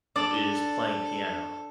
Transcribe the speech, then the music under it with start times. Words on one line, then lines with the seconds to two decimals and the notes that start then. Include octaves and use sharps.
is playing piano.
0.16 D4 A4 D5